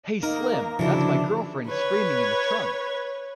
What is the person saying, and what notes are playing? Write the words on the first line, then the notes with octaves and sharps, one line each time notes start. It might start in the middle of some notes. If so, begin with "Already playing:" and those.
Hey Slim, that's my girlfriend screaming in the trunk.
A#3 D#4 A#4 A#5
D2 C#3 E3 F3 D4 E4
B4 C#5